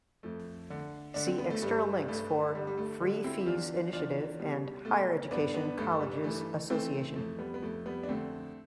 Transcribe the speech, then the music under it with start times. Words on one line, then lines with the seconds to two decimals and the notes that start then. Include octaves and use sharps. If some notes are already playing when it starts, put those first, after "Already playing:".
See external links for: "free-fees initiative" and "Higher Education Colleges Association".
0.23 F2 A3
0.70 D3
1.14 D3 D4
1.27 C4
1.38 B3
1.50 A3
1.62 G2 G3
2.08 G2 A3
2.55 D3 G3
2.67 G3
2.78 A3
3.01 D3 G3
3.24 C4 E4
3.41 G4
3.46 E2 D4 F4
3.93 E2 D4 F4
4.39 B2 G3
4.85 B2 A3
5.31 G2 B3 D4
5.54 B3 D4
5.78 G2 A3
6.00 G3
6.24 E3 A3
6.70 E3 A3 C4
7.16 F2 A3
7.39 G3 B3
7.54 B3
7.62 F2 A3
7.86 G3 B3
8.03 D4
8.09 D3 A3 C4